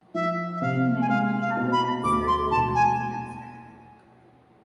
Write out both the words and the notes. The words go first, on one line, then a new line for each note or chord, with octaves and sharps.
In May, he underwent surgery on his hamstring.
F3 E5
E5
C3 F5
G#5
G#3 F5
F5
B2
B5
D2 D6
C6
E1 A5
G#5